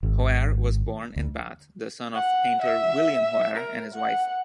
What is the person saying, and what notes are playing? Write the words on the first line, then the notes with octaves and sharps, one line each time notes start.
Hoare was born in Bath, the son of painter William Hoare and his wife.
G#1
D2
F#5
E5
A#4
F#5